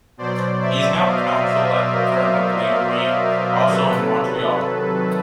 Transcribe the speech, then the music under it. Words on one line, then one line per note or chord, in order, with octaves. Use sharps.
He is now Counsel at the firm of Lavery, also in Montreal.
B2 F#3 C5 D5
D5 E5
D#5 F5
D5 E5
A#4 C5
C3 D#3 F#3 A4 B4